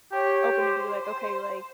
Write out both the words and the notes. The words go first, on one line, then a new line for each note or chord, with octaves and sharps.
open to be like, "Okay, like,
G4 C#5
C5
C5